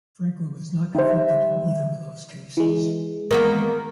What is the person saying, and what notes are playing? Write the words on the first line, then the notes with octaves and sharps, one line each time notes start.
Franklin was not convicted in either of those cases.
G3 D#4 C5 E5
E3 G#3
D#3 A#3 B3 A#4